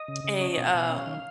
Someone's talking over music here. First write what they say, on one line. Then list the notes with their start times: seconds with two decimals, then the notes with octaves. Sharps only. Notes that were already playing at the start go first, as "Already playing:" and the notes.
a, um
Already playing: D#5
0.08 C#3
0.24 C#3
0.41 C#4
0.57 B2
0.74 B2 F5
0.90 C#4
1.07 D#3